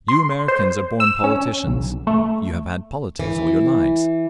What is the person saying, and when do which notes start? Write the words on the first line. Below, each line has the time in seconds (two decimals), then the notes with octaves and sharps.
You Americans are born politicians; you have had politics all your lives.
0.08 C6
0.48 C5
1.00 E6
1.24 C#4
1.67 B1
2.07 A3
3.19 E3